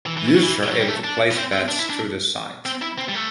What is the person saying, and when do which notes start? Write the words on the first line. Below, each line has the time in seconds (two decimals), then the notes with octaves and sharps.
Users are able to place bets through the site.
0.06 E3
0.17 E3
0.29 E3
0.36 F#3
0.43 E3
0.72 F#3
0.80 G3
0.88 A3
1.04 D4
1.31 B3
1.36 C4
1.53 C4
1.68 D4
1.79 E4
1.90 D4
2.66 C4
2.82 E4
2.98 C4
3.09 G3
3.15 A3